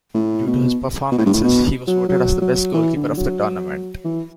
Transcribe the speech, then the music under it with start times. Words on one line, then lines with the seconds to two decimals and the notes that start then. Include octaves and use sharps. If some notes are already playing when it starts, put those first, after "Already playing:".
Due to his performances, he was voted as the Best Goalkeeper of the Tournament.
0.14 A2
0.47 B2
1.12 B2
1.18 A2
1.26 G2
1.33 A2
1.44 B2
1.88 F#3
2.09 F#3
2.42 F#3
2.74 E3
2.96 D3
3.18 F#3
4.04 E3